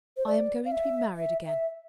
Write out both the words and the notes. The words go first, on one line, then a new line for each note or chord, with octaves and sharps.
I am going to be married again.
C5
D5
F5
E5
E5
E5